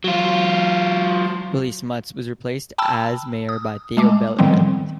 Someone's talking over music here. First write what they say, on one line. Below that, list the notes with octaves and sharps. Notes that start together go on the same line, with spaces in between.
Willie Smuts was replaced as Mayor by Theo Beyleveldt.
F#3 F4
G5 A5 B5 E6
D#6
G#3 A3 D6
A2 D#3 F3 G3 B3 C4